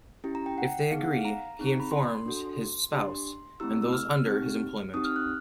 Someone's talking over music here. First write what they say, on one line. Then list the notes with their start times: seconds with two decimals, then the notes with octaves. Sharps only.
If they agree, he informs his spouse and those under his employment.
0.24 C#4 E4 G4
0.35 A#5
0.46 G5
0.58 F#5
0.91 B3 D#4 G#4 F5
1.02 F#5
1.13 F5
1.25 A#5
1.59 C4 D#4 G#4
1.67 A#5
1.80 B5
1.91 C6
2.25 D4 F#4 A4
2.92 D4 G4 C6
3.60 A3 C4 E4 G4 E6
3.82 E6
3.93 F6
4.26 C4 D#4 G4
4.94 C4 D#4 G4 D#6
5.05 F6
5.16 F#6